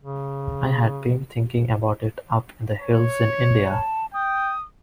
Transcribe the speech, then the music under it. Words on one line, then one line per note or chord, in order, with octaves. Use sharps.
I had been thinking about it up in the hills in India.
C#3
C#5
A5
G5 D#6